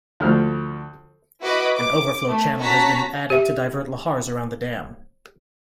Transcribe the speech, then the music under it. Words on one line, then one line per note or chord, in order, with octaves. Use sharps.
An overflow channel has been added to divert lahars around the dam.
D2 F3 A4 C5 F6
E4 F#4 B4 D#5 B5 D6
D6
A3
C#4 F#4 A5 A#5 B6
G4 E5